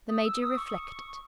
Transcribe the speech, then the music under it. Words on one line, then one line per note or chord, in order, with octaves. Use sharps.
The Major reflected.
D#6
E6
D#6
C#6